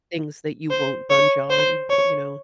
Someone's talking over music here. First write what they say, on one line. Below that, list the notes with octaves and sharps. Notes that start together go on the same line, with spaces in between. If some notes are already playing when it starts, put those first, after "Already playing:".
things that you won't budge on, you know?
C5
C#5
C5
C#5